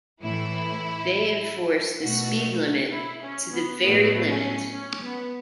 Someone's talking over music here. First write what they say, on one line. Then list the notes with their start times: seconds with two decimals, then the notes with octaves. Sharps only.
They enforce the speed limit to the very limit!
0.22 A2 E3 A3 E4
2.01 B2 A3 F#4
2.92 E4
3.22 C#4
3.52 B3
3.83 A2 F#3 A3 B3
4.28 C#4
4.72 C#4
5.02 B3